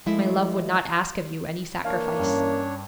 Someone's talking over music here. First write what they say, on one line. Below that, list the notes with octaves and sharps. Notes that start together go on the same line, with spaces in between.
My love would not ask of you any sacrifice.
F3 G#3 A3 E4 G#4 E5
E3 A#3 D4 C#5 F5 F6
G2 C#4